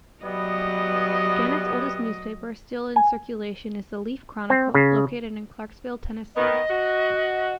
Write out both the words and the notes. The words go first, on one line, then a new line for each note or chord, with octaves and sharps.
Gannett's oldest newspaper still in circulation is the "Leaf-Chronicle" located in Clarksville, Tennessee.
E3 F#3 G3 B3 D#5
G#5
C4
C#3
D#3 B3 D#5
F#4